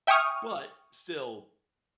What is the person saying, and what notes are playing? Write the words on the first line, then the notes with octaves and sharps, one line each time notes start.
but still,
E5 G5 G#5 C#6 D#6 F6